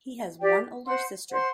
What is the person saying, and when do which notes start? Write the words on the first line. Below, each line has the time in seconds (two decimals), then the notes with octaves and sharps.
He has one older sister.
0.40 G4 D5 G5
0.86 C5 F#5 C6
1.32 C5 F#5 C6